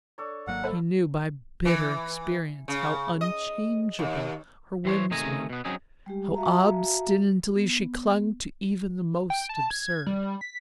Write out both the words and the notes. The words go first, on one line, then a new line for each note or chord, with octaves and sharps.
He knew by bitter experience how unchangeable her whims were, how obstinately she clung to even the most absurd.
D4 A4 C#5
G#1 F#3 A#3 F5 F#5
A4 C5 B5
E3
C#3
D#5
D#2
E3 C5 C#5
C3 D#3 A3 D#5 G#5 A#5
B2 B3
F#3 C4 C#4 D#4 G#4
G3 G#3 G4
F#4 E5 F5 A5 A#5
B3
G5
A5
G#6
G3
B6